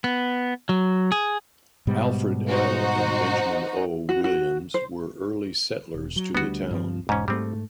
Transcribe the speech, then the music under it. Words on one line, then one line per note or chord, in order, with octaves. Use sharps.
Alfred L. and Benjamin O. Williams were early settlers to the town.
B3
F#3
G#4
G#2 B2 G3
D#4 F#4 C5
F#4
F#4
C5
E1
F#3
D2 G3 B3 D4 F#4
G2 F3 C4
E1 G#2 C#4
G#2 G3 A3 C4